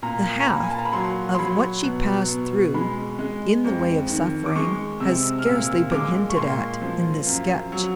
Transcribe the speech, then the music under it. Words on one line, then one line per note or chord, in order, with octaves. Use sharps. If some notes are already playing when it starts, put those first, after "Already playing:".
The half of what she passed through in the way of suffering has scarcely been hinted at in this sketch.
A#2 A#5
A#5
A#2 B5
G#5
A5
A#5
B5
F#3 C6
C6
F#3 B5
B2
B2
G#3 B5
G#3
F2
D#3
D6
G#3 C#6
C3 E6
F6
A#2 E6
G#3 D6
C#6
A#2 C6
F3
F#2
F#3